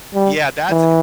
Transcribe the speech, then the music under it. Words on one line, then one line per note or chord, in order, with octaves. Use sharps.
Yeah, that's, eh
G3
E3